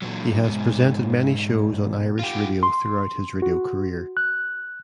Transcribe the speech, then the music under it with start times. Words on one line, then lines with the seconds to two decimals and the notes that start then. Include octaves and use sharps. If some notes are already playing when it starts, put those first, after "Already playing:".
He has presented many shows on Irish radio throughout his radio career.
0.02 A#2 F#3
0.45 G#2 B2
2.19 F4 G4
2.63 C6
3.42 F#4
4.17 F#6